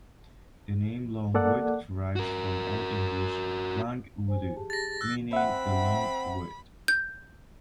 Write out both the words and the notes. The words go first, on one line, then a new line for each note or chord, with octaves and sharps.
The name Longwood derives from Old English "Lang wudu", meaning "The Long Wood".
A#3 A4 D5 F#5
F#4 A#4
C5 G#5
G4 G#4 A5
A6 A#6
E6 F#6
C4 E5 F#5 B5
G6